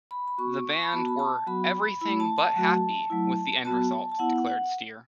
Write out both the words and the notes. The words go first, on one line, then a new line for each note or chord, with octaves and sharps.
The band were "everything but happy" with the end result, declared Steer.
B5
B5
B3 F#4 C#6
C#6
B5
B3 F#4 A5
B5
A5
F#3 B3 F#4 B5
A3 E4 B5
A5
A5
F#3 A3 F#4
F#3 A3 E4
F#3 B3 F#4 A5
A5
B3 E4 F#5
F#5